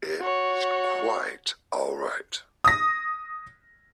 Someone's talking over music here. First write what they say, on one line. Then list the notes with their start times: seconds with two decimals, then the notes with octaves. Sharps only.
It's quite all right.
0.20 F#4 C#5
2.64 D#6 A#6